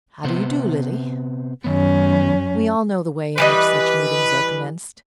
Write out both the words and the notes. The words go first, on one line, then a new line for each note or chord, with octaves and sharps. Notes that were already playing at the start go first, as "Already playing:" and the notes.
"How do you do, Lily?" We all know the way in which such meetings are commenced.
C3 B3 C5
F#2 D#3 B3 C#4
E3 G3 B4 D#5